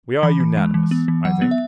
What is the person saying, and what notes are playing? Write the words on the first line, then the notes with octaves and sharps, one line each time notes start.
We are unanimous, I think.
E3 B5
E3
G#3
E3
B3
E3
F#3 F#5
B3
E5